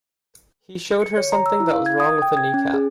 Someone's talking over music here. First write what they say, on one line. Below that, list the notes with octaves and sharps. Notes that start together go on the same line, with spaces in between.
He showed her something that was wrong with a knee-cap.
C#7
C#5
A#5
E6
E4
F5
G#6
D#6
G5
G#6
C#4
G#4